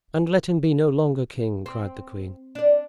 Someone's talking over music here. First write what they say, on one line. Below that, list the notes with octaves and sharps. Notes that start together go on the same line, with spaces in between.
"And let him be no longer king," cried the queen.
C4
D4 D5